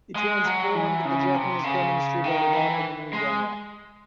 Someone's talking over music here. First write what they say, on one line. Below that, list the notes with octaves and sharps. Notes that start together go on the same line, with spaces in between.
He transformed the Japanese film industry by developing a new genre.
G#3
F#3
E3
C#3
C3
C#3
D#3
E3
G#3